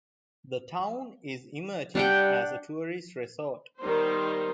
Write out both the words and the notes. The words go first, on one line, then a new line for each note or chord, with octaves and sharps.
The town is emerging as a tourist resort.
G3 D4 F#5 G5
D#3 G3 B3 D#4 C5